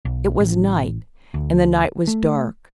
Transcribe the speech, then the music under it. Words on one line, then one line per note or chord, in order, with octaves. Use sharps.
It was night, and the night was dark.
B1
A1
D2
A3